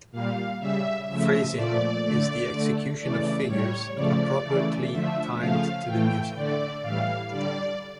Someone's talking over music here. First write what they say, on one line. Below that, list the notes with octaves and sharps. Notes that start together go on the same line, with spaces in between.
"Phrasing" is the execution of figures appropriately timed to the music.
A#2 G3 F5
C#3 G3 E5
C#3 F3 A3 E5
A#2 F3 A3 D5
D3 A3
D3 A3
C#3 E3 A3 D5
A2 G3 C#5
C#3 F3 A3 D5
C#3 E3 A3
D3 F3 A3 E5
C#3 F3 A3 F5
A2 E3 A3 G5
D3 A3 D5
A2 E3 G3 F5
D3 G3 D5